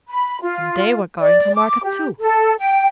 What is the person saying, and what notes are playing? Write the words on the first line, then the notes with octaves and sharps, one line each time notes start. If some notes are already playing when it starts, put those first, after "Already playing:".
And they were going to market too.
B5
F4
D5
D6
G4
A4
G5